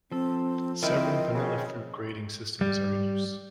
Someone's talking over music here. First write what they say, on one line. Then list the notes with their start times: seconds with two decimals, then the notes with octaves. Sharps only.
Several vanilla fruit grading systems are in use.
0.12 F3 C4 A4
0.83 D#3 C4 E4 D#5
1.34 C#3
2.61 G3